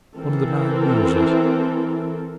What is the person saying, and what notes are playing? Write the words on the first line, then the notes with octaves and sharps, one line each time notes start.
One of the nine Muses.
E3 C4 A4 A#4